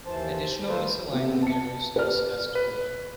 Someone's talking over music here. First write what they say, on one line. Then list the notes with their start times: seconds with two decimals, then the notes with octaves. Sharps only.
Additional misalignment errors are discussed below.
0.06 D#2 E3 C5 A5
0.68 A3 F4 A4 B4 C5
1.13 C3 B3 E5
1.42 A5 C#7
1.96 B4 D5 F6
2.55 B4